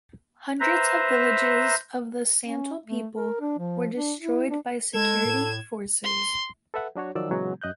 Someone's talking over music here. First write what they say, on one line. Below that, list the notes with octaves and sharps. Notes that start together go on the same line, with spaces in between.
Hundreds of villages of the Santal People were destroyed by security forces.
B4 C5 E5 A#5
C#4
A3
A#4
D4
F3
D4
E4
D4
G#3 A4 G#6 E7
A2
C6
A4 B4 E5 F#5
F#3 D4 F#4 C#5
D#3 F3 F#3 D5 E6
A#2 C#3 E3 F#3 G#3 B3
F#2 D#5 F#6 G6